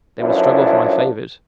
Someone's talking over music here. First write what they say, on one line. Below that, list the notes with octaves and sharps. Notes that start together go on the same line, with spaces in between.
They will struggle for my favors.
A1 F#2 F3 D4 E4